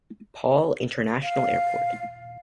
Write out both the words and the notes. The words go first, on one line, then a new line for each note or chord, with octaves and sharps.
Paul International Airport.
F5